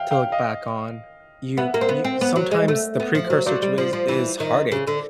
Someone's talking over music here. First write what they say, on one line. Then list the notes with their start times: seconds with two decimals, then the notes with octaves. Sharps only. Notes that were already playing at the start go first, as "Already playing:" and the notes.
to look back on, you you sometimes the precursor to is is heartache,
Already playing: E5 F5 G5
0.11 F5 G5
0.32 D#5 F5
1.57 B3 E5 F#5
1.74 A#3
1.81 C4
1.89 B3
2.04 C4
2.21 B3
2.36 F#3
2.51 G#3
2.68 A3
3.00 B3
3.15 F3
3.30 F#3
3.46 F#3 C5 D5
3.62 G3
3.78 F3
3.93 F3
4.08 E3
4.40 D#3
4.72 C#3
4.87 D3